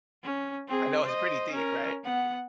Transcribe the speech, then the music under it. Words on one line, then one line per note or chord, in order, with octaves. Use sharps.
I know it's pretty deep, right?
C#4
C4 G#4
C5 D#5
C#4 A#4
B3 F#5